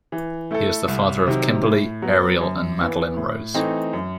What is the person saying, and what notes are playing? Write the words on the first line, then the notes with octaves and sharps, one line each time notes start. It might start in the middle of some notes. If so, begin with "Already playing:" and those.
He is the father of Kimberly, Ariel and Madeline Rose.
E3
A3 E4 A4
C2
C3 D#3 F#3
A2
F#3 B3
F#2
E3 B3
A2
E3 A3 C4 D#4
F#2